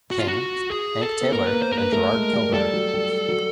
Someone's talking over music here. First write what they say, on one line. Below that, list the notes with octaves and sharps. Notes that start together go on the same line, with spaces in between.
King, Hank Taylor and Gerard Kilbride.
F#4
F4
F#4
G#4
A4
B3
A#3 A#4
B4
A#3
C5
A#3 A#4
B4
A3 A#4
G#3
G3
G3 A4
F#3
G3
F#3